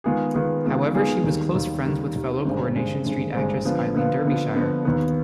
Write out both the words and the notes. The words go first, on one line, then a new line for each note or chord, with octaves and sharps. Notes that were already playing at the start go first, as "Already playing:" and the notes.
However she was close friends with fellow Coronation Street actress Eileen Derbyshire.
D#3 G#3 B3 F4 G#4
D#3 G#3 B3 F4 G#4
D#3 G#3 B3 F4 G#4
D#3 G#3 B3 F4 G#4
D#2 D#3 G3
D#2 D#3 G3
D#2 D#3 G3
D#2 D#3 G3
G#1 G2 D3 G#3 C4
G#1 G2 D3 G#3 C4
G#1 G2 D3 G#3 C4
G#1 G2 D3 G#3 C4
D3 F3 B3 F4
D3 F3 B3 F4
D3 F3 B3 F4
D3 F3 B3 F4
D#2 D#3 B3